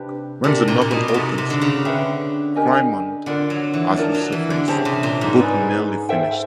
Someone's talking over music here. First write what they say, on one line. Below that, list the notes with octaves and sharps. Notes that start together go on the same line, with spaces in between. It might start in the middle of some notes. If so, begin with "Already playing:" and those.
When the novel opens, Crimond has resurfaced, book nearly finished.
Already playing: C3 D4 G4 B4
C3 D4 G4 A#4 D5
A#2
A#2
B2
B2
C3 D#4 F#4 A4
C3
D3
C#3
D3 B4 E5 G5
G4 A#4 D#5 G#5
D3 F4 A#4 D5 F#5
F#3
E3
F3 D4 F4 A#4 D5
F#3
E3
D3
C#3 G4 C5 E5 A5
C3
A#2
G#2
D#4 G#4 B4 D5
A4 C5 E5 G5